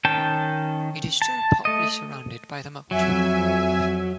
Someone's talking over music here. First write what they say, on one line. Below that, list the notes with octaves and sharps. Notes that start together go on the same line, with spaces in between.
It is still partly surrounded by the moat.
D#3 C#4 G5 A5
A5
A3 D#5
F2 F#3 E5 G#5